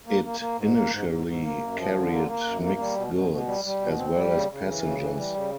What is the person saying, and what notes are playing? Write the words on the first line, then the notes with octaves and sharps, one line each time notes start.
It initially carried mixed goods, as well as passengers.
A#3
A#3
A#3
G#2
A#3
G#2
G#2
G#2
A#3
F#2
F3
D3
A#3
A#3
F#2
A#3
G3
B2
B2
B2
G3
G3
B2
C4
G3
C#3
C#3
E3
C#3
E3
G3
C#3